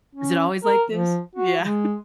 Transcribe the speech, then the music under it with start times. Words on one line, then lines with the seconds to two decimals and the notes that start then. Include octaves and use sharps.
Is it always like this? Yeah.
0.15 C#4
0.64 A#4
0.91 F3
1.36 F#4
1.61 G#3